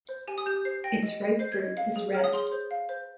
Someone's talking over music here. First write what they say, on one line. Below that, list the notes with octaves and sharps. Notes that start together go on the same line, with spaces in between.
Its ripe fruit is red.
C5
G4 G#5
D#6
G4 G6
C5 C7
G5 A#6
D#5
D#5
C5 C7
G#6
D#5
F5
G#4
C#5 F6
D#6
G#4 C6
C5
F5
C5